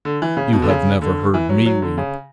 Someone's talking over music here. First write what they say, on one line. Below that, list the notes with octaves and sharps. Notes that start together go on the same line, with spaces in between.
You have never heard me weep.
D3
E3
C#3
B2
D3
C#3
D3
E3
F#3
F#3
D3
C#3